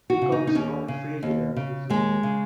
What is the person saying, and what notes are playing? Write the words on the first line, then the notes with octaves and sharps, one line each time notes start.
Peacocks roam freely around the zoo.
F#4
C#3
D#4
D#4
D#2 C#4
C#3
D#2
C#3
D#2 G#3
C#3